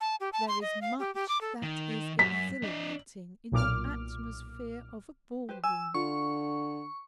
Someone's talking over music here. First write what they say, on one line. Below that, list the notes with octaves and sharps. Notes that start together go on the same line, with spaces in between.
There is much that is exhilarating in the atmosphere of a ball room.
A5
G4
A5
C6
D#5
F5
G4
G4
D6
A4
D#3
F#2 B6
D4 D#5
B1 A#2 D6 F6
G4 B4 C5
G#5 E6
D3 F4 C#6